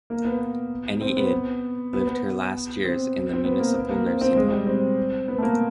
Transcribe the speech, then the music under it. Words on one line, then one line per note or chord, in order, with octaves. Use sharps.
Enni Id lived her last years in the municipal nursing home.
A#3
B3
C4
B3
B3
B3
C4
C4
B3
A#3
B3
A#3
C4
C4
G#3
G3
C4
B3
A3
A#3